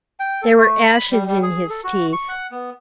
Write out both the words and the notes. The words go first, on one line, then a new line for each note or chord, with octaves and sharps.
There were ashes in his teeth.
G5
A4
A3
B5
G3
G3
G#4
A4
F#4
C#6
F#5
B3